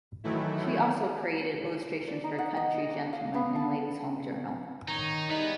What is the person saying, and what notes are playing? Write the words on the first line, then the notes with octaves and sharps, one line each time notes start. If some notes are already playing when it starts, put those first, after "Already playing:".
She also created illustrations for "Country Gentleman" and "Ladies' Home Journal".
D#3 E3 F#3 A3 E4
D5
D#4
F#5
D#5
D6
F5
B3
A5
D#3 D#4 C#5 A#5
G3 B3 D#4 E4 G#4 B4